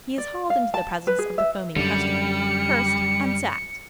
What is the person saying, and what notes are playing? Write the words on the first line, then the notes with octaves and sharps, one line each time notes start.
He is hauled into the presence of the foaming customer, cursed, and sacked.
D5
F5
A5
B4
G#4
E5
F#2 D3 G3 C#7